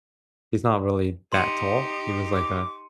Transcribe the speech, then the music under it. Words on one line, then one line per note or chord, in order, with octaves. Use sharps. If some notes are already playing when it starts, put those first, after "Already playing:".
he's not really that tall. He was like a
D#4 G4 C6 C#7 D#7
D6